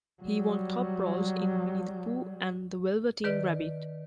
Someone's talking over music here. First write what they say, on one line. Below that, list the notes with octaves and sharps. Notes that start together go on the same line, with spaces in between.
He won top roles in "Winnie the Pooh" and "The Velveteen Rabbit".
F#3 G3
D#3 B4 D5 F6